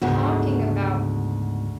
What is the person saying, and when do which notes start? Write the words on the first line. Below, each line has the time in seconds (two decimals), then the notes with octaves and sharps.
talking about
0.02 D2 G#2 C#3 B3 F#4